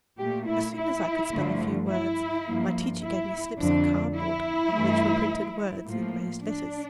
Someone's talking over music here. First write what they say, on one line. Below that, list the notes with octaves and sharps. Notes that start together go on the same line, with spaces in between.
As soon as I could spell a few words my teacher gave me slips of cardboard on which were printed words in raised letters.
A#2 A3 G4
E4
E4
G2 D3 F3 A3
E4
G2 F3 A#3
E4
F2 D3 F3 D4
E4
G2 E3 A3
A2 F3 A#3
D4